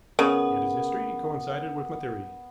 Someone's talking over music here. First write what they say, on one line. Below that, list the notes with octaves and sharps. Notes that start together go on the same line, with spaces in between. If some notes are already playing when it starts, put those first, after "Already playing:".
Yet his history coincided with my theory.
C#3 B3 A#4